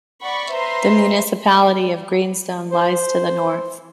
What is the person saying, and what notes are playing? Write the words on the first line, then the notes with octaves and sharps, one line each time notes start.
The municipality of Greenstone lies to the north.
D5 F#5 B5 C#6
B4 C5 E5 A#5 C6
C5